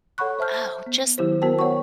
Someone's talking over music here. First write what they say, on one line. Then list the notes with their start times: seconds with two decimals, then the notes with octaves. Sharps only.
Oh, just
0.18 A4 C#5 F#5 B5 C#6 F#6
0.39 C5 E5 A5 F6 G6
0.86 B3
1.18 D#3 F#3 E4 G4 C5
1.42 B3 F#4 A#4 C5 G5 A5
1.59 C#5 F#5 G5 C#6